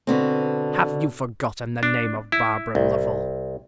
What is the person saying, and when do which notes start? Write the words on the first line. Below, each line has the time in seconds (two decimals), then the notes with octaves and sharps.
"Have you forgotten the name of Barbara Lovel?"
0.07 B2 D3 C4
1.83 D4
2.32 E4
2.75 C2